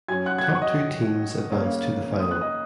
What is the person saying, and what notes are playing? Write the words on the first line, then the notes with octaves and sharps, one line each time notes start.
Top two teams advance to the Final.
F#2 F#3 C#4 G#5 G#6
F#5 F#6
G#6
F#5 F#6
C#6
D#5 D#6
C#3 A#3 C#4
D#6
F#6
D#5 D#6